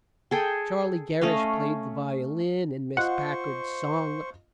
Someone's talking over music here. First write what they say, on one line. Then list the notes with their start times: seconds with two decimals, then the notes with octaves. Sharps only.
Charlie Gerish played the violin and Miss Packard sung.
0.31 G#4 A4 G5
1.21 A3 C#4 D#5 F5
2.97 F4 C5 D#5 F#5 C#6